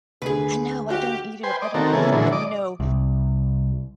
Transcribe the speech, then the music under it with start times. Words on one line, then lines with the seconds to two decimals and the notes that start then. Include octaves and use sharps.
I know, I don't either, I don't either and, you know,
0.22 D2 G#4 B4
0.90 F#4 G4 F5
1.43 B4 C5 G5 G#5 C6
1.62 D5 D#5
1.74 D#3 C4 F#4 A4 A#4
1.93 C#3 E3 A#3 B3 G#4 A4
2.12 A#2 D3 E3 F#3 G#3
2.32 D5 D#5 D6
2.80 C2